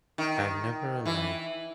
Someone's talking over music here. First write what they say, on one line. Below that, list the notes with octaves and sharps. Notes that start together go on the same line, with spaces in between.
I've never, like-
D#3
E3